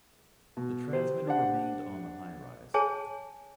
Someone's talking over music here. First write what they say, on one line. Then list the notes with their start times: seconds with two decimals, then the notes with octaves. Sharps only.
The transmitter remained on the highrise.
0.57 B2
0.93 G4 C5
1.27 D4 F#5
2.74 G#4 C#5 G#5 A5